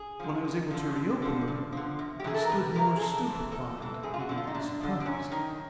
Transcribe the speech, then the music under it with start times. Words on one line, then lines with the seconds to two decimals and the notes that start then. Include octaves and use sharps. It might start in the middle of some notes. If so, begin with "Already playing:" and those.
When I was able to reopen them, I stood more stupefied even than surprised.
Already playing: G#4
0.20 D3 F3
0.45 F2
0.71 D3 F3
0.96 G2
1.22 D3 F3
1.48 G2
1.72 D3 F3
1.99 E2
2.20 G4
2.24 C3 E3 G#4
2.34 A4
2.42 A#4
2.50 E2 B4
2.75 C3 E3 A#4
2.97 G#4
3.01 E2 A4
3.26 C3 E3
3.52 E2 A4
3.77 C3 E3
4.03 F#2 G#4
4.14 F4
4.20 F#4
4.29 D3 F3
4.38 F4
4.47 D#4
4.55 F#2 D4
4.81 D3 F3
5.00 D4
5.06 F#2 C#4
5.32 D#3